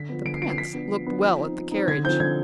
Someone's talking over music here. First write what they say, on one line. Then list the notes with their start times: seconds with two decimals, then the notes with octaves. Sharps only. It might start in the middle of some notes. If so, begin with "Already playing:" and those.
The prince looked well at the carriage.
Already playing: D3 B6
0.09 F3 B3
0.25 D3 D7
0.34 C7
0.41 F3 D7
0.45 B3
0.50 C7
0.58 F3 B6
0.74 B3 D4
0.90 F3
1.07 B3 D4
1.23 F3
1.39 C4 D#4
1.55 F3
1.72 C4 D#4
1.88 D3 G#6
2.04 F3 C4 D#4 G6
2.20 D3 G#6